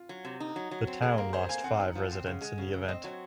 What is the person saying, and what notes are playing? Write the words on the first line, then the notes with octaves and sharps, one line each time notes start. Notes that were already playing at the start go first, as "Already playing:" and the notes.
The town lost five residents in the event.
Already playing: F4
F#3
C3
D#4
F#3
F#3
C4
F#3 G#4
A#3 A#4
F#3 C5
A#3 G#5
C4 F#5
D#4
F3
C4
C#3
G#3
C#3
C#3
C4 D#5
F#3 C#5